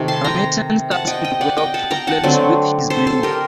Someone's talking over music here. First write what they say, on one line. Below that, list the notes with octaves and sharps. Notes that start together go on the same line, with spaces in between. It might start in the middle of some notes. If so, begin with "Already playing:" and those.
Ramesan starts to develop problems with his memory.
Already playing: C3 D#3 A3 D#4
A5 C6
G5 A#5
F#5 A5
D#5 G5
D#5 G5
D5 F#5
D#5 G5
F#5 A5
G5 A#5
F#5 A5
D3 F#3 A3 C4
A4 C5
A4 C5
G4 A#4